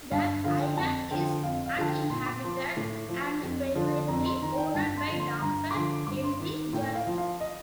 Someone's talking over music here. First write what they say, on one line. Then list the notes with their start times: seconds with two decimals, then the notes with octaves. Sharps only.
The island is uninhabited and privately owned by Doctor Henry Jarecki.
0.11 G2 F5
0.44 D3 F3 F5
0.61 G5
0.77 F2 A5
1.11 D3 F3 G5
1.44 F2 F5
1.66 F5
1.77 D3 F3 A5
1.88 G5
2.10 A#2 C6
2.26 D6
2.43 F3 C6
2.77 A2
3.09 F3
3.43 F2
3.75 D3 F3
4.08 F2 A#5
4.25 C6
4.42 D#3 A#5
4.58 G5
4.75 G2 A5
4.97 C6
5.08 D3 F3
5.20 C6
5.42 G2 A#5
5.71 D6
5.74 D3 F3 C6
6.07 G2 D6
6.24 C6
6.40 D#3
6.73 A2 G5
6.95 F5
7.07 F3
7.18 F5
7.40 D#5